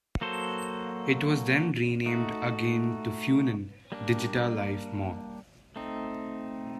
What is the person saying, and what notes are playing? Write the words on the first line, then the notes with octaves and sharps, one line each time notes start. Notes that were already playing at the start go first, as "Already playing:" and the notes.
It was then renamed again to Funan DigitaLife Mall.
F#3 A#3 F#4 A4 C5
A3 D#4 F#4
G3 A#3 D4
A3 C4 D#4